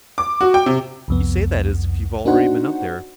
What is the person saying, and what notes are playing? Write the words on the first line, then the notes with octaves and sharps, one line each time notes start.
"You say that as if you've already been up there."
D6
F#4
G5
C3
C2 F2 B3
A#3 D4 D#4 F#4 C5 F#5